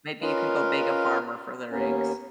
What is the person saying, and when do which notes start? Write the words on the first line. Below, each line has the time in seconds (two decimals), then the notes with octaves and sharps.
Maybe you can go beg a farmer for their eggs,
0.22 C#4 F4 A#4 B4 D#5 F5
1.71 D#2 A#3 B3 C#4